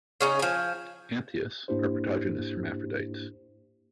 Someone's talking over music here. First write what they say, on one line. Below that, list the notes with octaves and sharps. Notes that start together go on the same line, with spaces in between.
Anthias are protogynous hermaphrodites.
C#3 C#4 D#4
F3 G#5
G#2 A#3 D4 E4 G4 C5